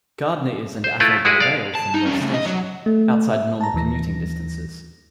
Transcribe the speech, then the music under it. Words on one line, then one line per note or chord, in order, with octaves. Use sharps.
Gardner is and Athol by rail from North Station - outside normal commuting distances.
C5
A3 E4 F4 B4
G#3 E4 F#4 G#4 B4
D5 F5
A5
D#4
G3 C#4
A2 C#3
D#5
F#3
A3
E5
A5 A#5
D#2 E3 A#6